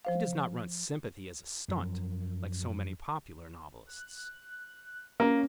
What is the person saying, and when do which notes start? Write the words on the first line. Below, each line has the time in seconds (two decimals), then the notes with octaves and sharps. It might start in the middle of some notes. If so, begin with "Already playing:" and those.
He does not run sympathy as a "stunt" like so many popular novelists.
0.05 F3 C5 F5
1.68 F#2 F3
3.87 F#6
5.20 A#3 C#4